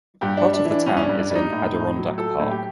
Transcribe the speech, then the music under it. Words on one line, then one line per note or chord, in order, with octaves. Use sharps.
Part of the town is in the Adirondack Park.
G2 G4
D4
G3
D4
E3
D4
G2 C#4
C#4
D4
G2
D4
G3 D4
D#4
A2
A2
F#3
F#3 A4
A2
G4